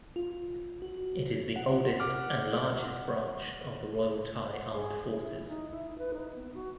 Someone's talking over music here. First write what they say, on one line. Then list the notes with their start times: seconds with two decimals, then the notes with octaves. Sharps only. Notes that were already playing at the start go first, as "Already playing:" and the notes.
It is the oldest and largest branch of the Royal Thai Armed Forces.
0.16 F4
0.82 F#4
1.56 F#5
2.00 F#5 D6 F6
4.51 F#5
4.72 G#4
5.15 E4
5.48 D#4
5.71 E4
5.98 B4
6.14 D#4
6.35 B3
6.54 F#4